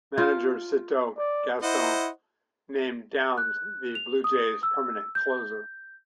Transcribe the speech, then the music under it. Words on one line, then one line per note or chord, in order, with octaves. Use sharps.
Manager Cito Gaston named Downs the Blue Jays' permanent closer.
F4
D5
E4 C5 D#5 F#5
F#6
F7
D#6
E6
G6